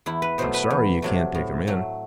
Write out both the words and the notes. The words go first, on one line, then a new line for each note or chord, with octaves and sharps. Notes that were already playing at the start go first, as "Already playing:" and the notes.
I'm sorry you can't take him in.
E2 E4
B4
B2 F#3 A3 C5
B4
E2
C3 F#3 A3
A2
F#3 A3